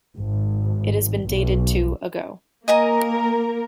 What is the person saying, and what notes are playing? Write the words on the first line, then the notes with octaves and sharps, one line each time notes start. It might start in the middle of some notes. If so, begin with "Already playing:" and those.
It has been dated to ago.
G#1
B1
A#3 A#4 D#5 G#5 A#5